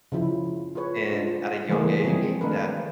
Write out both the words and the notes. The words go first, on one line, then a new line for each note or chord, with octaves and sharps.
And at a young age, that
C#3 F3 E4 F4
F4 G#4 B4 C#5
D4 F4
C#3 E3 G3 A3 A#3 G#4
D3 F3 G#3 C4 G#4
D#3 A3 D4 A#4 B4